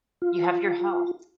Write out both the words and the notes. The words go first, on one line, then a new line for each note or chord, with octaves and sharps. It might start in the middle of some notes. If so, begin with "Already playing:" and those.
You have your health.
F4